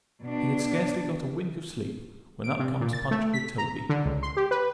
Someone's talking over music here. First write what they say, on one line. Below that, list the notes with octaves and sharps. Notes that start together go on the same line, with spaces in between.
He had scarcely got a wink of sleep, when up comes Punch with Toby.
B2 D4
D7
C3
A#2
A6
A3
B6
A#5
D3
C#2
C6
G4
B4